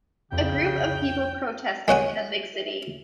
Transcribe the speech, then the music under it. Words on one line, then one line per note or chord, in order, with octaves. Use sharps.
A group of people protesting in a big city.
C2 F2 C#3 G5
G#3 C#5 F#5 G#5